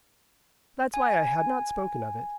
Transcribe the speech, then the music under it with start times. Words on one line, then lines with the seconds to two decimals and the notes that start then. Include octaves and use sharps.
That's why I had not spoken of it.
0.94 G#5